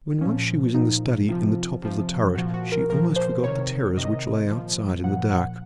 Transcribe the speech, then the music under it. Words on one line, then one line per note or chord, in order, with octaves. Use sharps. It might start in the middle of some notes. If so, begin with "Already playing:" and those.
When once she was in the study in the top of the turret, she almost forgot the terrors which lay outside in the dark.
A#2 F3 C#4
A#2 F3 D#4
C3 F3 F4
C3 F3
A#2 F3 F#4
F#4
A#4
A#2 F3 A#4
C5
C3 D#3 C#5
C3 D#3 D#5
A#2 F3
A#2 F3 F#5
F#5